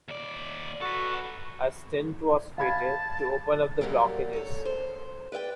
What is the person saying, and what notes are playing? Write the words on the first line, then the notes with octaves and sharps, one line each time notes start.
A stent was fitted to open up the blockages.
D#2 D5
F#4 A4 B4
F5 A5 B5 G#6
F#2 D#3 F#3 G3 A#3
A4 C#5
C5
B4 D5 E5 G5